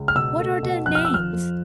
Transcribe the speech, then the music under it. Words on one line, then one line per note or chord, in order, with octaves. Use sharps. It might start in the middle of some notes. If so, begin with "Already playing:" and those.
"What are their names?"
Already playing: C#2
F6
B2 E6
A3
B2
F2 F#6
F6
E6
F3 F6
F2